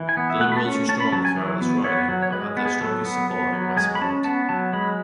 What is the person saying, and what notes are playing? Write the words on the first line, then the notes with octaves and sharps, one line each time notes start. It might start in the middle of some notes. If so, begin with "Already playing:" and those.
The Liberals were strong throughout this riding, but had their strongest support in Westmount.
Already playing: E3
G#5
B3
E5
A3 F#5
B5
A5
C#4
C#4 A5
B5
F#3 A5
G#5
E3
B3
B3 C#5
F#3
C#5
G#3 B4
B3
G#4
F#3 A4
B3
B3
F#3
G#3 G#5
B5
C#4 A5
B3 A5
F#3 A5
G#3 B5